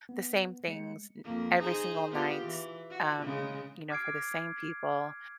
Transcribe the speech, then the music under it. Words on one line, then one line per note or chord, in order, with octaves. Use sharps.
the same things n every single night, um, you know, for the same people,
B3
G#3 C#7
F2 A#3
D#4 G#4 C5
B3 F4 G4
E3
F#4
C#3 G#3
D6 F6 G#6 C7 D7